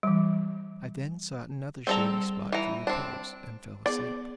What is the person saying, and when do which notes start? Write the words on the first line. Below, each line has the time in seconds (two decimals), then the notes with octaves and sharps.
I then sought another shady spot for repose, and fell asleep.
0.03 E3 G3
1.87 G3 C4 G#4 A4 D5 A#5
2.52 E3 A#5
2.87 C4 D4
3.86 B3 G#4 D5